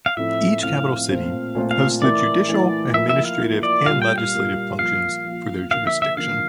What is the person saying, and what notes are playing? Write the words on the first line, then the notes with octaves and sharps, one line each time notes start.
Each capital city hosts the judicial, administrative and legislative functions for their jurisdiction.
F5
A2 F3 C4 E4 A4 E5
A2 F3 C4 E4 A4 F5
A#2 A3 C4 F4 C5
A#2 A3 C4 F4 C5
F5
E3 A3 E4 A#4 D5
E3 A3 E4 A#4
F3 A#3 E4 E5
E5
F5
F3 A#3 E4
D5
A#2 G3 A#3 F4 F5
G5
F5
A#2 G3 A#3 F4
F3 A#3 F4 F5
F3 A#3 F4
D3 F3 A#3 F5
E5
E5
D3 F3 A#3 F5